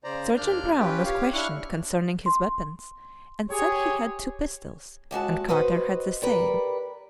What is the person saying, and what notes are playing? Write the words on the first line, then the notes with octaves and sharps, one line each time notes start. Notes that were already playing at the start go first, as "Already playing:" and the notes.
Sergeant Brown was questioned concerning his weapons, and said he had two pistols and Carter had the same.
C#3 C5 D5 A#5
D#2 A#3 D4 D5 F6 G6
C#4 F4 G4 B4 G5
G4 C#5 F5
D4 E4 C#6 F6 F#6
C6
G4 G#4 C#5
D#2 G#3 F#4 A5
F#4 B4 C5 D#5
G3 A#4 B4